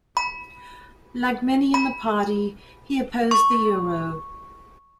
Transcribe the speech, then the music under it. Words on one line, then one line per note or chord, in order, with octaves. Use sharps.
Like many in the party, he opposed the euro.
B5
B5
C#6